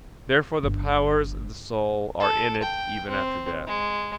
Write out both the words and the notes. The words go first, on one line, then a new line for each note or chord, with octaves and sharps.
Therefore the powers of the soul are in it even after death.
G1
A4
G5
C4
G#3